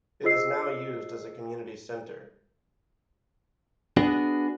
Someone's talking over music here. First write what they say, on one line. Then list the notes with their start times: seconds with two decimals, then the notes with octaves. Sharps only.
It is now used as a community center.
0.24 F4 G#4 C5 D#5 E6 C7
3.97 B3 D4 F#4 G#4